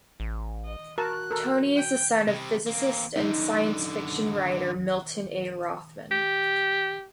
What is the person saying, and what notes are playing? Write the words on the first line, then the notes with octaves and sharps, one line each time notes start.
Tony is the son of physicist and science fiction writer Milton A. Rothman.
A1
D#5
F#4 A#4 A5 F#6
A4 A#4
G5
C3 G3
A#3 C4
F#2 D3 D#4
G4